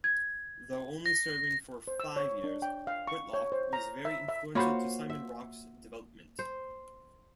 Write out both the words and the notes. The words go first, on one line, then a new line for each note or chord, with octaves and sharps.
Though only serving for five years, Whitlock was very influential to Simon's Rock's development.
G#6
A#6
C5
E6
C#5
D4
G5
F5
C#6
C#5
C5
A#5
E5
E5
A#3 F4 F#4 C5 C#5 B5
E5
C5